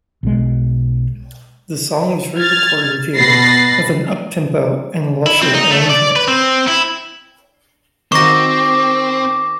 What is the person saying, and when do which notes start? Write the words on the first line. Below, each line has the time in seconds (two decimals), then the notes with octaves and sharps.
The song was re-recorded here with an uptempo and lusher arrangement.
0.23 B1 B2 G#3
2.37 F6 G#6 A6
3.15 B2 B3 B5 A6 A#6 C7
5.26 E4
5.42 C4
5.54 D#4
5.71 A3
5.90 D5
6.16 B4
6.28 C4
6.67 E4
8.12 D#3 C4 D#4 F#4 C#6 D6 A#6